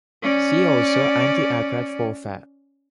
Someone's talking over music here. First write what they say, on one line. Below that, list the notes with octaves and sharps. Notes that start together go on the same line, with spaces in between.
See also antiaircraft warfare.
C#4 D5